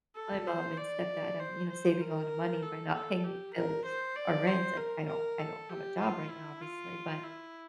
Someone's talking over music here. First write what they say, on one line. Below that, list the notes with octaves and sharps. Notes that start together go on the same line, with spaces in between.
my mom and stepdad. I'm, you know, saving a lotta money by not paying any bills or rents. Like, I don't I don't have a job right now, obviously, but,
A4
C5
D5
C5
C5
A#4
A4
A4
G4
A#4
C5
D5
C5
A#4
A#4
A4
G4
F4
E4
F4
E4